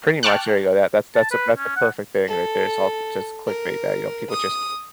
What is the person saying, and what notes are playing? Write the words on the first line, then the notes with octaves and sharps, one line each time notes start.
Pretty much, there you go, that that's that's a that's the perfect thing right there, it's all just clickbait that, you know, people just
G5 A5 C#6 D6 F6 F#6
A5
B4
C#4
F#5
A4
A#4
D#6